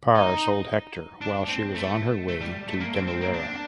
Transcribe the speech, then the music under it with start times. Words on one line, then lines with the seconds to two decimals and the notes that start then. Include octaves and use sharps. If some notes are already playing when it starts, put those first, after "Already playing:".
Parr sold "Hector" while she was on her way to Demerara.
0.15 D#4
1.21 D4
1.48 C4
1.74 A3
2.28 A3
2.41 G3
2.68 A3
2.80 A#3
2.94 C4
3.07 C4
3.21 A#3
3.33 D4